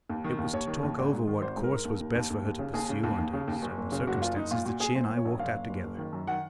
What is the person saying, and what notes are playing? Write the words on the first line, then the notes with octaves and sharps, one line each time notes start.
It was to talk over what course was best for her to pursue under certain circumstances that she and I walked out together.
D#2
D#3
D#2
D#2 C#5
D#3
D#2
G#1
G#2
D#3
G#1 C5
G#2
A#4
G#2
D#2
D#2
D#2
D#2
D#2
C#3
D#2 G#4
C#3
D#2
D#2
C#3
D#2
F#1
F#1
C#3
F#1 F#4
F#1 F4
F#1 D#4
A#2 F4
A#2 F#4
A#2 G#4
A#2 C5
A#2
C#5
A#1
F#1 F5
F#1
F#1
F#1
D#3
F#2
D#3 F#5